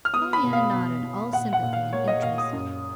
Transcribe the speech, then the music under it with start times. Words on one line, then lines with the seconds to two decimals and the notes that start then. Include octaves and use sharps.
Pollyanna nodded, all sympathy and interest.
0.05 F6
0.13 B3 D#6
0.33 B5
0.43 B2
0.53 F5
0.73 B2
1.03 B2
1.33 A#2 F#5
1.53 F#5
1.63 A#2
1.73 F5
1.93 A#3 C#5
2.08 D#5
2.22 A#2 F5
2.38 D#6
2.53 F#2